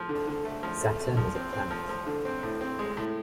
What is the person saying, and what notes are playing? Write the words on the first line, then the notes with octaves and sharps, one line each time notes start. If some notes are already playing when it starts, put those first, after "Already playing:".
Saturn is a planet.
Already playing: F3
D3
D3
A3
F3
A3
A3
F3
C4
C4
F3
F3
D3
C4
A2
C4
G#3
A2